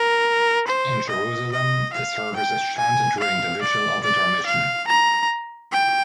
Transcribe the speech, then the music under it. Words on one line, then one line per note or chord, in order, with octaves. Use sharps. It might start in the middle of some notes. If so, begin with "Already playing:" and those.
In Jerusalem, the service is chanted during the Vigil of the Dormition.
Already playing: A#4
C5
D#5
D#5
F5
G5
G#5
F5
D5
D5
F5
A#5
G5